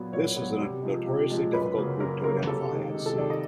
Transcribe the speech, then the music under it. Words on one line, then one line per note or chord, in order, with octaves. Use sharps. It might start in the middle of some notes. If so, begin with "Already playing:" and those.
This is a notoriously difficult group to identify at sea.
Already playing: A#2 F#3 B3
A#2 C#5
F#3 B3
C3
F3 G#3
C3
F3 G#3
F#2 B4
C#3 F#3 A#3
F#2 A#4
C#3 F#3 A#3 A#4
C3 A4
D#3 G#3
C3
A4
D#3 G#3 D5
D#5